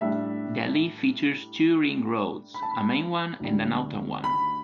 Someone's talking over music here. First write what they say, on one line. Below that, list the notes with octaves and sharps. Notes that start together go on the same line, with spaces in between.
Delhi features two ring roads, a main one and an outer one.
A2 G3 D4 E5
B5
A5
B5
D2 D3 G3
B5